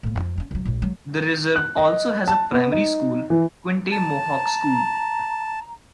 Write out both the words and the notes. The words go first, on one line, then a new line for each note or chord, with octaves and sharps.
The reserve also has a primary school, Quinte Mohawk School.
A2 A#3
F2 F3
C#4 D4
C#2 F#3
A#1 G#2
F#3 G#3
F#6
D#5
A5
B3
D#4
E3
A5 A#5